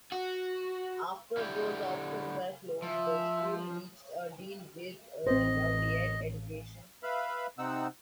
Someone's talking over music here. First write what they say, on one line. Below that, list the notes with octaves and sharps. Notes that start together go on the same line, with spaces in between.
After those options were closed, the school reached a deal with Laureate Education.
F#4
D3 E4 G4
F3 E5
A1 C4 C5 D#5
B4 E5 F5 B5
C3 C4 D#4 F#5 E6